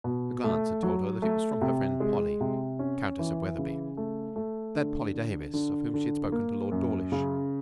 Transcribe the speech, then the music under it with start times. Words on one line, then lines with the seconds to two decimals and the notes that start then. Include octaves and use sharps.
A glance had told her that it was from her friend Polly, Countess of Wetherby: that Polly Davis of whom she had spoken to Lord Dawlish.
0.04 B2
0.44 A3
0.83 F#3
1.22 A3
1.61 C3
2.00 G#3
2.40 C3
2.79 C#4
3.19 E3
3.58 C#3
3.97 A3
4.36 A3
4.75 D3
5.14 D3
5.54 D3
5.94 D3
6.32 A#3
6.72 F#2
7.12 C#3